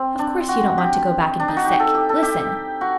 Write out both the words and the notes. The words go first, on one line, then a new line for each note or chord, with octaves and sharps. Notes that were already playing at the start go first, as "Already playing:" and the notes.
Of course you don't want to go back an' be sick! Listen!
Already playing: C4
D4
F#4
G4
D4
D#4
F#4
G4
A4
G4
A4
G4
F#4